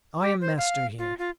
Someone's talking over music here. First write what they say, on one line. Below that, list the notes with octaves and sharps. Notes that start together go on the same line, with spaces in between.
I am master here.
G4
C5
F5
F4
F4